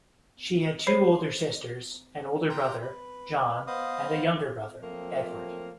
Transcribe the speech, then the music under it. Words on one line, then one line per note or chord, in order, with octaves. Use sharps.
She had two older sisters, an older brother, John, and a younger brother, Edward.
C5 C#5 B5 C7
G5 A#5 C6
B4
B3 B4 C5 D#5 F5 D#6
F3 F#3 A3 A#3 C4 F4